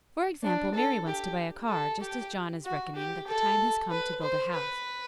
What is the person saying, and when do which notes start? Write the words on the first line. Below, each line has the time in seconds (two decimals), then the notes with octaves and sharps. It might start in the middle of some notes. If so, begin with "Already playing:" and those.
For example, Mary wants to buy a car, just as John is reckoning that the time has come to build a house.
0.43 D4
0.74 A4
1.07 G4
1.69 A4
2.01 G4
2.65 F#4
2.95 G4
3.27 A4
3.91 B4
4.22 C5
4.53 B4